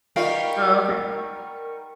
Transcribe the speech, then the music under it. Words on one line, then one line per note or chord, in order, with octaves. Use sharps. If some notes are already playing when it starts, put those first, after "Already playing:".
Oh, okay.
G3 B3 D#4 F4 A#4 F5 G5 C#6